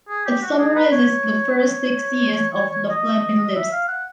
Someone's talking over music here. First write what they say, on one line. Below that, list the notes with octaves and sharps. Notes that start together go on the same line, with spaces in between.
It summarizes the first six years of The Flaming Lips.
G#4
G4
F#4
G#4
B4
C#5
C#5
D#5
E5
F5
F#5